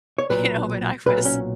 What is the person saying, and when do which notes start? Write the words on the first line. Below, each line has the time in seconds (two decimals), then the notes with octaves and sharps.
you know, but, I was
0.18 C#5
0.29 B1 A#2 F#3 B4
1.06 B1 A#2 F#3 B4
1.25 C#4